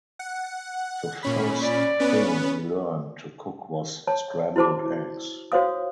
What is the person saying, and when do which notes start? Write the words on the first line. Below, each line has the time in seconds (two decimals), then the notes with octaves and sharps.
The first thing he learned to cook was scrambled eggs.
0.19 F#5
1.23 A#2 C#4 B5
1.62 D5
2.00 B3 C#4 B4
4.07 C#5 A5
4.56 E4 F#4 C5 A5 D6
5.52 F#4 C5 C#5 F5 D#6